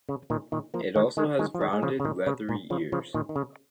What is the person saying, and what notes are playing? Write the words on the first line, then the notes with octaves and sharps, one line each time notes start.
It also has rounded, leathery ears.
C#3
A#2 D#3
A#2 D#3
F3 A#3
D#3 G#3
D#3 G#3
D#3 G#3
F3
D#3 G#3
G#3
C#3 F3
C#3
A#2 D#3
C#3
A#2
C#3 F3
C#3 F3
A#2 D#3
D#3
C#3